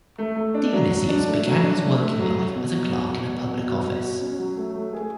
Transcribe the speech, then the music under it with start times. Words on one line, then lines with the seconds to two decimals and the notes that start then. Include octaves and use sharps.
Dionysius began his working life as a clerk in a public office.
0.18 A3
0.36 A3
0.55 D4
0.73 F#3
0.91 F#3
1.09 D4
1.27 A3
1.46 F#3
1.64 D4
1.83 A3
2.01 A3
2.18 F#3
2.37 F#4
2.55 B2
2.74 F#3
2.92 F#4
3.11 B2
3.28 F#3
3.47 B2
3.65 F#4
3.83 B2
4.02 F#4
4.20 C#4
4.39 F#3
4.57 A3
4.76 A3
4.93 G#4